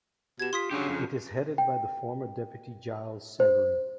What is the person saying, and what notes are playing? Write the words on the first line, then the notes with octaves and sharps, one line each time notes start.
It is headed by the former deputy Gilles Savary.
B2 G4 G#6 E7
F4 C6 D#6 B6
C#3 F#3 D4 G4
F2
G5
C5